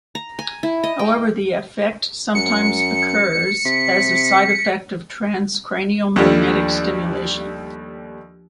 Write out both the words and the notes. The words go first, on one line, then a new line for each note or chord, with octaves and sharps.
However, the effect sometime occurs as a side effect of transcranial magnetic stimulation.
A#5
G#5
E4
D#5
G5
F#2 C#7
C3 B6
D#2 F3 G3 A3 D4 F4